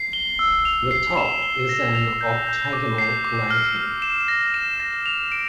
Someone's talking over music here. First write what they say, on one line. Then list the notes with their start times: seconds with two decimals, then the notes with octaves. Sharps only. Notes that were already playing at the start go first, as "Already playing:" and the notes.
The top is an octagonal lantern.
Already playing: C7
0.13 G7
0.39 E6
0.65 F7
0.91 C7
1.17 E7
1.43 G7
1.69 A#6
1.95 F7
2.21 G6
2.47 G6
2.73 D6
2.98 C7
3.24 D6
3.50 F6
3.76 F6
4.02 E7
4.28 A#6
4.54 E7
4.80 A#6
5.06 F7
5.32 D7